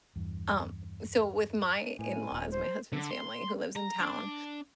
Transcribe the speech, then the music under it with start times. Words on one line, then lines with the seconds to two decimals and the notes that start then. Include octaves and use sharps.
Um, so with my in-laws, my husband's family who lives in town,
0.16 E2 G2
1.99 A2 G#5
2.32 D#1
2.51 C5
2.93 D3
3.11 C6
3.76 A#5
4.01 D4